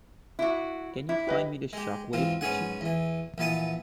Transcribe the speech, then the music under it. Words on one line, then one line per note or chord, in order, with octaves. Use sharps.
Can you find me the Shockwave picture?
E4 F#4
E4
G4 B4 D#5
G#3 G4
E2 G#2 C4 F4
G#2 B3 C#4 G#4 F#5
E2 E3
A#1 E3 B3 A5 D#6